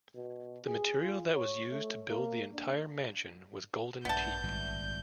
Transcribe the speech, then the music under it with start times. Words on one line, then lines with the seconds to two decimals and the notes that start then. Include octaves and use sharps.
The material that was used to build the entire mansion was golden teak.
0.15 B2
0.66 G#4
1.02 F4
1.35 C#5
1.71 A3
2.09 A#3
2.53 D4
4.05 A#1 G2 A#2 B3 D5 E5 A5 G6
4.43 G#1 A#2 G3